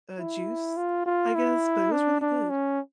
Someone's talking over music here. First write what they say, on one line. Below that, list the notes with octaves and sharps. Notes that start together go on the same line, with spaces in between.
uh, juice, I guess. But it was really good.
E4
F4
F4
E4
D4
D4
C#4